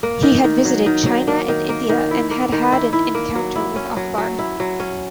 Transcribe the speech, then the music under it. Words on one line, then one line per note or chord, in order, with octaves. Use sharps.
He had visited China and India, and had an encounter with Akbar.
A#3
D#3
D#3
F#3
D#3
F#3
A#3
D#3
A#3
D#3
E4
A#3
D#3
E4
E4
A#3
F#3
E4
C#4
F#3
F#3
E4
F#3
C#4